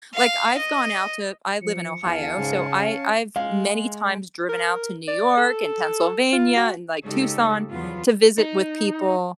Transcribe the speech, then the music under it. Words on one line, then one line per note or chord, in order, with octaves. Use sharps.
Like I've gone out to I live in Ohio. So I I've many times driven out to New York and Pennsylvania and like Tucson to visit with people.
F5
D#5
F3 C#7
E2 F5 G#5 A5
G#2 C#3
C#4
G#3 F5
A#4
D5
A4
F4
F#4
C#3 G#3 D#4 G4 A4
E2 F3 F#3 B3 F4
D#4